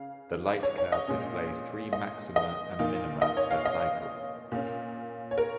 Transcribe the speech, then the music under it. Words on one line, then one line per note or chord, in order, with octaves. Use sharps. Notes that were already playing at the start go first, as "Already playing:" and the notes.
The light curve displays three maxima and minima per cycle.
Already playing: C#3 F5
C#5
C#5
D#5
A#2 G#3 C#4
D#5
D#5
A#2 A#3 D#4
D#5
C#5
F5
D#5
A#2 A#3 C#4
C#5
A#4